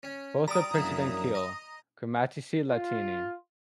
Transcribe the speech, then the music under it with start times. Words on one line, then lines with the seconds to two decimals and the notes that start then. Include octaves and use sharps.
Both are printed in Keil, "Grammatici Latini".
0.03 C#4
0.48 G3 A#5 D6 D#6
0.74 A#1 F#2 E4
1.35 D#5
2.70 F4